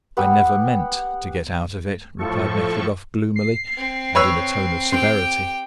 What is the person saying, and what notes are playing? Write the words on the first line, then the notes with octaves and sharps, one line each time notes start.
"I never meant to get out of it," replied Nekhludoff, gloomily, and in a tone of severity.
B3 G4 F#5 E6
A2 F3 A4 C#6
C7
C4
B4 C#5 E6
C4 G4 G5